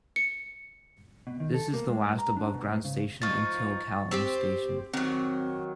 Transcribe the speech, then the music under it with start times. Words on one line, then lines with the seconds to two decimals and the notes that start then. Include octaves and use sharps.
This is the last above-ground station until Kallang station.
0.16 C#7
1.27 B2
1.40 D#3
1.54 A4
1.74 A#3
1.89 G#3
2.07 G2
2.19 A#5
2.37 D4
2.54 B2
2.70 G#2
2.85 C#3
3.22 F3 D#4 C#6 A6
4.11 C4 G4 C5
4.94 D#3 F#3 C4